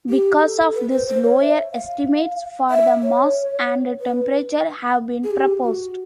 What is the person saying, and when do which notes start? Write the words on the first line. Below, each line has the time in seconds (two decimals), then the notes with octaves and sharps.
Because of this, lower estimates for the mass and temperature have been proposed.
0.10 G4
0.42 A4
0.75 B4
0.91 C5
1.07 C5
1.24 C#5
1.40 E5
1.72 F5
2.70 E5
3.03 C#5
4.00 B4
5.24 G#4
5.31 G4
5.63 F#4